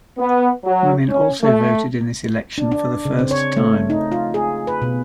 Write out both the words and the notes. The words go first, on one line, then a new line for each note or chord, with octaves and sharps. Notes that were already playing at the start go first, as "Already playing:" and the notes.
Women also voted in this election for the first time.
B3
F#3
C#4
A3
D4
D4
C#3
C4
C#5
A3
D#4
F4
G#4
B4
B2